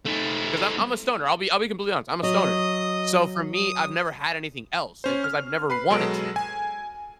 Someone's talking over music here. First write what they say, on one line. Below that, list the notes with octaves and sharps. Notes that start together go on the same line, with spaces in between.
And it 'cause I'm I'm a stoner, I'll be I'll be completely honest, I'm a stoner. So for me, I've never had anything else an 'cause I've never wanted to.
A3 D#4
F#3 D#5 D#6
D#6
C#4 C5
F6
B4 B5 C7
B2 F#3 G#3 A4 D7
G#5